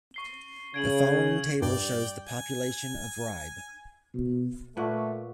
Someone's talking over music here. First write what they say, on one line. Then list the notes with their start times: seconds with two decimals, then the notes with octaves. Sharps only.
The following table shows the population of Ribe.
0.14 C#6 C7 G7
0.74 C#3 G#6 D7 F#7
1.62 G2 D5 G5
2.27 G#5
4.14 B2
4.77 A#2 A3 B4 F5 F#5 C#6